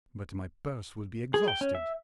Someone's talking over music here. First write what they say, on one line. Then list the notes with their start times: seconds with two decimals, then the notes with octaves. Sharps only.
"But my purse will be exhausted."
1.34 G#4
1.48 G5
1.61 C#4
1.75 E5